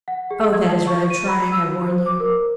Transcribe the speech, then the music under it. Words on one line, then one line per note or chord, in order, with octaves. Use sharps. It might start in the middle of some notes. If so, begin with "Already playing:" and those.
"Oh! that is rather trying, I warn you."
F#5
G#4
G#6
A5
C#6
D#7
B5
E6
F#4
C5
D6
A#4